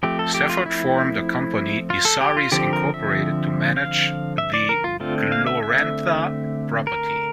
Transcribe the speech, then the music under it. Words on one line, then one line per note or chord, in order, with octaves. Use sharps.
Stafford formed a company, Issaries, Incorporated to manage the Glorantha property.
F3 A3 C4 G4
A4
G4
F4
E4
F4
A4
G4
F4
D3 F3 C4 G4
A#4
E5
F5
E5
D5
A#4
F4
D3 A3 C4 F4
F5
E5
E5
A#4